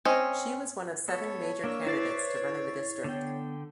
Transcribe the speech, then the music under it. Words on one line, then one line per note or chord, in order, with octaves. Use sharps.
She was one of seven major candidates to run in the district.
C4 C#4 D#5
B3 A4 C#5
A#3 D4 E6
E4 B4 C5 D5 E5 A6 C7
D3 B3 G5